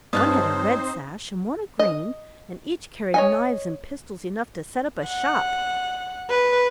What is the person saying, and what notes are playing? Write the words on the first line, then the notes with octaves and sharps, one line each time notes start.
One had a red sash and one a green, and each carried knives and pistols enough to set up a shop.
G2 C4 C#4 D#4 C5 A5 D#6 F#6
D#5
C#5 D#5 G#5
F#5
B4